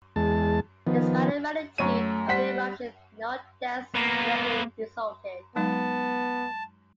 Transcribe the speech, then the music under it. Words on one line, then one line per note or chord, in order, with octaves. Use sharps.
Despite the magnitude of the eruption, no deaths directly resulted.
E2 G#3 A5
D#3 F3 B3
F#2 A3 C#5 D#7
G3 C5 F#5 B6
A#3 B3
F#3 G#3 B3 D#4 A5